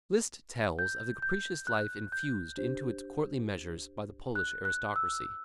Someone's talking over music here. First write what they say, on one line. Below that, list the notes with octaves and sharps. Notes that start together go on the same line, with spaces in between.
Liszt tells of the capricious life infused into its courtly measures by the Polish aristocracy.
G6
G6
F#6
G6
D4 G4 C5
F#6
F#6
E6